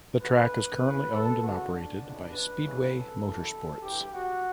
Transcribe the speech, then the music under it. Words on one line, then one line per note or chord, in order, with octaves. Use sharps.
The track is currently owned and operated by Speedway Motorsports.
D2 D3 B4
E2 C#3 E3
A4
D2 C#3 E3 F#4
D4
C#2 C#3 E3
B4
C#2 C#3 E3
A4
F#2 E3
G2 E3 G4
F#4